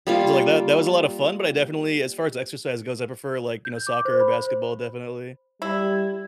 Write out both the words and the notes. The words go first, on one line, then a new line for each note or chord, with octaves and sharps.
So, like, that that was a lotta fun, but I definitely as far as exercise goes, I prefer, like, you know, soccer or basketball, definitely.
G3 A#3 F4
G6
D6
C5
B5
C5
G3 E4